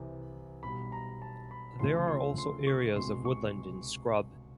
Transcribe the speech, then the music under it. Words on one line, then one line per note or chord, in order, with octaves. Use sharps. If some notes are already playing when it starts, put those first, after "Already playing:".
There are also areas of woodland and scrub.
Already playing: C2 C3 E3
B1 B2 G3 B5
A#5
A5
B5
D2 C#3 F3 A3 C6
C6
C6
C#6
C2 B2 G#3 C6
C#6